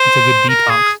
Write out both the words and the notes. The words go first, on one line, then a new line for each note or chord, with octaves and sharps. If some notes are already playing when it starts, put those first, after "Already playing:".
it's a good detox.
Already playing: C5
A#4
G#4